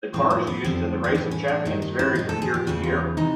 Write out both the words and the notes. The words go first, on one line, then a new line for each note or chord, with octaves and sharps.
The cars used in The Race Of Champions vary from year to year.
A2 F3 C4
A#3
B3
F2 D3 F3 C4
C4
A2 E3 B3
C#4
D4
G2 D#3 D#4
D#4
E4
A#2 F3 D#4
A4
G#4
G4
E2 C#3 E3 F#4
F4
C3 E3 D#4